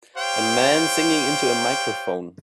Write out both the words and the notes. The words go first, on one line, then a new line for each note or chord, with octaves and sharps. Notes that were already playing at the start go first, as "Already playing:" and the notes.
A man singing into a microphone.
G4 C5 C#5 F5 G5